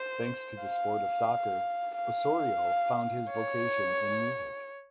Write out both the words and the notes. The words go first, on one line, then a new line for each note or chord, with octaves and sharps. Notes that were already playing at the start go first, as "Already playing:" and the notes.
Thanks to the sport of soccer Osorio found his vocation in music.
Already playing: C5
F5
F5
C#5